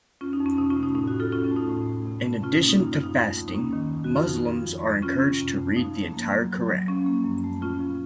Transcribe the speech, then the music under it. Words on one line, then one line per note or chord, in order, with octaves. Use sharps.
In addition to fasting, Muslims are encouraged to read the entire Quran.
F2 C#4 F4
D#4
F2
C#4
C3 D#4
C#4 F4
A3
D#4
A2 D#4
D#4 F#4
A2
F4 A4
D#2 C#4 F4
C#4
A3
D#4
A2
A3
C3
A3
C3 C#4 F4
D#4
A#3
D#4
F#2 D#4
F4
F3
D#4
A3
D#2
D#4
A#3 C#4
D#3
F2
F#4
F2
F4
F3 D#4
F3
F2
F2
C3 C#4 F4
C3
F#2
A3
F3 D#4
A3
A#3
F#3
F#3
F#3
F3 C#4
A#3
F#2
A3
A#2 C#4 F4
F3